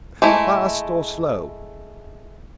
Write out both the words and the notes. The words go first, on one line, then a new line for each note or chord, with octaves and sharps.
"Fast or slow?"
G#3 A3 E4